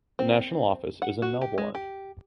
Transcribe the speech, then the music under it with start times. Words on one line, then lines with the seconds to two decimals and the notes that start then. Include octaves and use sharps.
The national office is in Melbourne.
0.19 C4
1.02 F#5
1.22 F#4
1.41 G4
1.58 G#3
1.75 G4